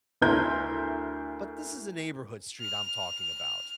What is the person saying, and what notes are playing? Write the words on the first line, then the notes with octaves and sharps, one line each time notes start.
but this is a neighborhood street I'm talking about,
D2 E4 A#4 G6
F6